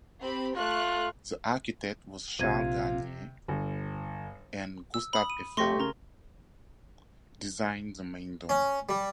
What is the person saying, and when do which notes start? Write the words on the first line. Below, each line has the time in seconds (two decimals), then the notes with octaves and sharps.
The architect was Charles Garnier, and Gustave Eiffel designed the main dome.
0.21 C4 G4 B5
0.56 A3 F4 C#6 F#6
2.39 A#1 C3 F4 G4 G#6 D#7
3.48 G1
4.94 E6
5.13 B5 D#6
5.30 D#7
5.57 A3 G4 C6 C#6 A#6
5.80 C#3 A#4 A#5
8.49 C#4
8.89 G3